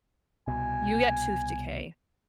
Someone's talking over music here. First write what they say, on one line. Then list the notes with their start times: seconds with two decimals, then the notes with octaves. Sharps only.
you get tooth decay
0.48 C2 B2 G#5